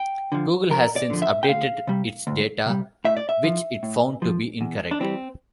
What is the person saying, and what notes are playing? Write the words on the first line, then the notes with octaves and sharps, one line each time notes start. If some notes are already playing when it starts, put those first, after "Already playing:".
Google has since updated its data which it found to be incorrect.
Already playing: G5
D3 F3
F2 A#4
D5
D3 F3
E5
G5
D2 F5
C3 G3
D2
C3 G3
A2 E5
D5
E5
F3
A2
F3
E2
D4
E3 G3 C4